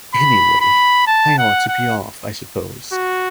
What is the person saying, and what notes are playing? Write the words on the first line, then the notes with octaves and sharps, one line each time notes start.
Anyway, I ought to be off, I suppose.
B5
B5
A5
F#5
F#5
F#4